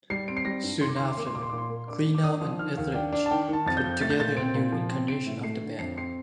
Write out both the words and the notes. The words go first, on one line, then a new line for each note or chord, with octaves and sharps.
Soon after, Kleinow and Ethridge put together a new incarnation of the band.
G3 C7
C4 D7
C7
G3 A#6
G2
D#3 C6
D6
C6
D#3
D6
C6
A#3 D6
C6
A#2 D6
C6
D6
A#2
C6
A#3
D4 D6
A#3
D6
D4 D#6
F3
D#3 F6
D#2
D4 G5
D4
A5
D#3 G5
D#3 A5
F2 A6
G6
F2
A3 A6
G6
A#2 A6
C4 D7
A#2
F3
C4
C4 D7
A2
A3 C7
D3
F2 C7
C4 C7